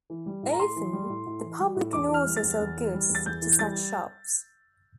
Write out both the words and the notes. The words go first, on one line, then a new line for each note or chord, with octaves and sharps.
Often the public can also sell goods to such shops.
E3
G3
A2
A#5
A2 C6
E3
G3
A2
A2
E3
G3
A2
E2 D6
E3
F6
G3
A6
E2
E2
E3
G3
E2
A6
E2 G6
E3
G3 A6